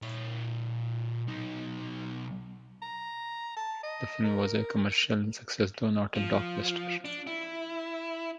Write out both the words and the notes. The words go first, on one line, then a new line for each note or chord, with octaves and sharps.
The film was a commercial success, though not a blockbuster.
A#2 C#5
B1 D#4
A#5
A5
D#5
A#4
F3
D4
E4